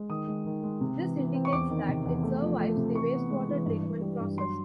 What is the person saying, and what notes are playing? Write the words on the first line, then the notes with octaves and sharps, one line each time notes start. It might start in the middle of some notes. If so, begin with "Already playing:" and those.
This indicates that it survives the wastewater treatment process.
Already playing: G#3
D#3 D#6
G#3
D#3
G#3
C3
E3
E3
C4
C#6
E2 D6
D#3
C3
E2
A3
F3
A3
C3
E3 C#6
B3
G#3
E3
G2
G2
G3
G2
F#3 C6